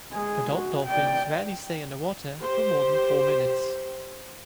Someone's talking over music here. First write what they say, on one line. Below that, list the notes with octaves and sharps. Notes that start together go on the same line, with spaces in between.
Adult dolphins rarely stay under water for more than four minutes.
G#3 G#4
F#4
D5 G5
G4 C5